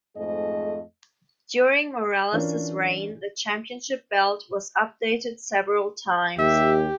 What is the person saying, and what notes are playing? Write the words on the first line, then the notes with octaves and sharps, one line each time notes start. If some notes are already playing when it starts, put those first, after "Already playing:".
During Morales's reign, the championship belt was updated several times.
F2 G#2 A3 G#4 D#5
E3 C#4 D4 F4 A#4
D#2 G4 E5